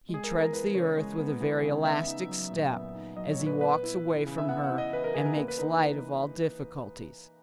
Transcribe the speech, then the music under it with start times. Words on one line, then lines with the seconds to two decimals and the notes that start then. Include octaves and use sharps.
He treads the earth with a very elastic step as he walks away from her, and makes light of all difficulties.
0.09 G#3
0.14 G#4
0.24 A#4
0.31 B3
0.38 A#4
0.53 E3 B4
0.74 C#3 C#5
0.97 G#3
1.19 B3
1.41 E3
1.62 C#3
1.85 B3 E5
2.07 D#4
2.29 F#3
2.51 A#2
2.72 B3
2.95 D#4
3.17 F#3 D#5
3.31 C#5
3.39 A#2
3.46 B4
3.60 B3 B4
3.83 E4
4.05 E3
4.26 C#3
4.38 E5
4.49 B3 F#5
4.64 F#5
4.71 E4
4.78 D#5
4.93 E3 B4
5.04 A#4
5.14 C#3 G#4
5.26 A#4
5.36 A#3 B4
5.48 B4
5.58 D#4 B4
5.80 E3